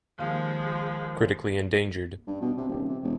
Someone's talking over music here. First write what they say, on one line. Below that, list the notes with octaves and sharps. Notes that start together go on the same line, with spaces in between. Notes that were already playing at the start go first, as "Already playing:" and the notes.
Critically endangered.
D#2 F3 G#3 F5
G2
B2
C3
D#1
C3
E1